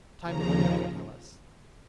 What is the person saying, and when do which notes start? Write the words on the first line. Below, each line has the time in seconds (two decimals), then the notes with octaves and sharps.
Time alone can tell us.
0.22 D#2 C#3 F3 A#5